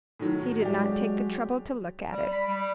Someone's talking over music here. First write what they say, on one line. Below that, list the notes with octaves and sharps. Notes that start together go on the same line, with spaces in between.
He did not take the trouble to look at it.
A2 D#3 F#3
F#3 G#3 D4 G4
G3
B5
G3